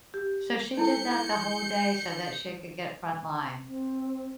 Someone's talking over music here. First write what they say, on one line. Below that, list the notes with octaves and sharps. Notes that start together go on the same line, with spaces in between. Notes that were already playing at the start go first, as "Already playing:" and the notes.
So she did that the whole day so that she could get front line,
G4
D#4 E4 A4 G6 C#7
C4